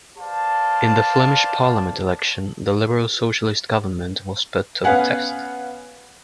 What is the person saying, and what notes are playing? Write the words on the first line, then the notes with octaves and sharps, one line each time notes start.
In the Flemish Parliament election, the liberal-socialist government was put to the test.
B4 C5 D5 F5 A5
B3 C#4 B4 F5 F#5 G#5